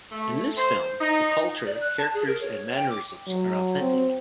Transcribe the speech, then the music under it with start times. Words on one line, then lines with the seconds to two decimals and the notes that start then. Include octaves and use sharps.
In this film, the culture, characters and mannerisms are authentic.
0.12 A3
0.56 C5
1.00 D#4
1.66 D5
1.81 F#6
1.98 A5
2.14 G#4
2.27 A#4
2.41 C#5
2.74 G5
2.90 D6
3.28 F#3
3.81 C4